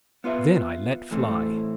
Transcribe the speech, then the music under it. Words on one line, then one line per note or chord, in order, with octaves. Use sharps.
Then I let fly....
B3 F4 B4 E5
A2 E3 A3 C4